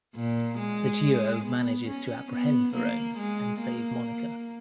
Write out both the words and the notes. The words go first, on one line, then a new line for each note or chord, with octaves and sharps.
The duo manages to apprehend Verone and save Monica.
A#2
G#3
B3
C#4
B3
A#3
G#3
A#3